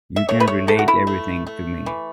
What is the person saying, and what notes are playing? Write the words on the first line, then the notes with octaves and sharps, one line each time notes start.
You can relate everything to me.
E5
A3 C#5
B4
C#5
E3 A4
F#4
E4
A3
A3
E3